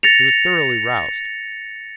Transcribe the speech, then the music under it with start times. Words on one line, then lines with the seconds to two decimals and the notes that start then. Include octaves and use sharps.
He was thoroughly roused.
0.03 A6 A#6 C#7 F7